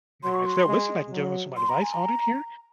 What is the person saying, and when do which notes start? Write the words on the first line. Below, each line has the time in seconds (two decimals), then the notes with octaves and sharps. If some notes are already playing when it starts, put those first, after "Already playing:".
mean, if they'll listen, I can give them some advice on it here.
0.23 F#3 C6
0.34 C#6
0.46 C6
0.67 G#3
1.12 F#3
1.57 C6
1.69 A#5
1.82 G#5
1.94 A#5